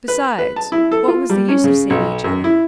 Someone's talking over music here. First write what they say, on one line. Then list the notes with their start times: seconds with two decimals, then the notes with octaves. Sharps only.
Besides, what was the use of seeing each other?
0.08 B4
0.39 B4
0.56 A5
0.72 E4
0.91 A4
1.08 F4
1.30 G3
1.49 C#4
1.64 C#3
1.90 B1
2.24 F#2
2.44 E4